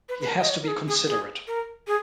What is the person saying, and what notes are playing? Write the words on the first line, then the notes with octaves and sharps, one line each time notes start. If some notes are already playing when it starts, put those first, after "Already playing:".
He has to be considerate.
B4
B4
A#4
D#5
C#5
A#4
G#4
G#4
G#4
A#4
G#4